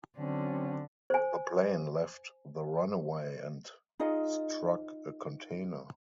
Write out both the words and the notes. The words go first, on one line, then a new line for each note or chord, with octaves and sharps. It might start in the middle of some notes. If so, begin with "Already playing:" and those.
The plane left the runway and struck a container.
D3 F#3 C4 C#4
C5 G#5
D#4 F4 G#4 D#5